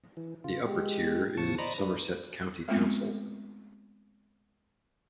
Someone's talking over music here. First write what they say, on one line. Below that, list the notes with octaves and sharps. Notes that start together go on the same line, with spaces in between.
The upper tier is Somerset County Council.
E3
C#3 F4
G#3 G4
A2 C#3 F3 A5 C#6
C5 D5 D#5 A#5 B5
D4 B4
G#3 A3 B3 C4 F4